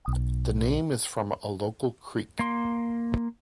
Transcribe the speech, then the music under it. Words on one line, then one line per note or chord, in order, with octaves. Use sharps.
The name is from a local creek.
B1
A#3 C6